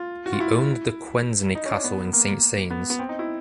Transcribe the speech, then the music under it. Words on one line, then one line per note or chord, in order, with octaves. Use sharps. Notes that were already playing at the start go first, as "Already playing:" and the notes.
He owned the Quesnay Castle in Saint-Saëns.
Already playing: F4
F#4
F4
E4
D#4
C#4
D4
B3
A#3
B3
B3
C4
D#4
E4